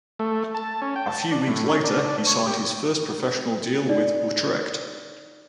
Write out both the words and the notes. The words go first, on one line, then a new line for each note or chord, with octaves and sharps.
A few weeks later he signed his first professional deal with Utrecht.
A3
A5
C#4
G5
A5
D4
A2
C#4
D4
C#5
G4
D#4 D5